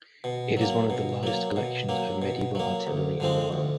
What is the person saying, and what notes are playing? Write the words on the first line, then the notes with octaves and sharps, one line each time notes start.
It is one of the largest collections of medieval artillery in the world.
B2
F#3 A#3
B2
F#3 A#3
B2
F#3 A#3
B2
F#3 A#3
D2
D3 F3 G#3 C4
D2